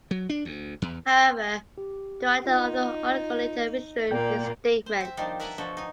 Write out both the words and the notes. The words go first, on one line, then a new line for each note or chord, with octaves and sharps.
However, the writer of the article later withdrew his statements.
F#3
D4
D2
E2
G4
D#4 F4
A#2 A#3 D5 G5 G6
C5
C4 E5
D#3 F3 G3 A#3 D4 D#4
A#4 B4 E5 F#5 G#5 A5
B2 D3 F3 F#4 A4
D#4 G#5